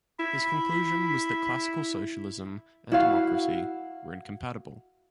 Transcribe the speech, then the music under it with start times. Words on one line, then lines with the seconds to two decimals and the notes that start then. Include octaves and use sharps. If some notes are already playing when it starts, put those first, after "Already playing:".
His conclusion was that classical socialism and democracy were incompatible.
0.20 E4 B5
2.92 E4 F#4 F5